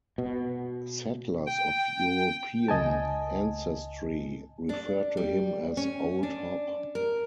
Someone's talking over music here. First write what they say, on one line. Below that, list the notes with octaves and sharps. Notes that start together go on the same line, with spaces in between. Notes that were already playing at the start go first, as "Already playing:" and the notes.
Settlers of European ancestry referred to him as Old Hop.
B2
G5
C#2 D#5 G#5 A5
D4
G3
C#4
D4
A#4